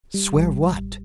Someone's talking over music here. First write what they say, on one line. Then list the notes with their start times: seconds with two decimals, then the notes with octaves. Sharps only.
"Swear what?"
0.14 G3
0.35 A1